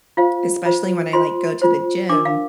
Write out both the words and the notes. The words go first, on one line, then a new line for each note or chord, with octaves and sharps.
especially when I like go to the gym,
F4 C5 F5
F4 C5
F4 C5 C6
F4 C5
D4 A#4 D6
F5